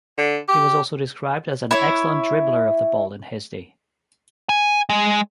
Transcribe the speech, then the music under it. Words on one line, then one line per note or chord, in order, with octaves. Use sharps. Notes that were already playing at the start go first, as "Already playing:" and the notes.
He was also described as an "excellent dribbler" of the ball in his day.
D3
G4
E4 C#5
G#5
G#3